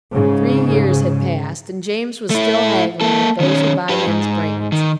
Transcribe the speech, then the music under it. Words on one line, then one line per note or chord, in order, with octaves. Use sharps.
Three years had passed, and James was still haggling with those who buy men's brains.
G#2 C#3
A3 E4
A#3 A4
D#3 C#4
G4 B4
G#2
D#3